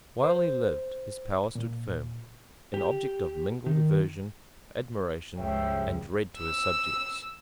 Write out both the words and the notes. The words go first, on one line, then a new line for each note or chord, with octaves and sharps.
While he lived his power stood firm, an object of mingled aversion, admiration, and dread to his subjects.
C5
A#2
G4
D#3
C#2 G2 F3 C#5 E5 G5
E6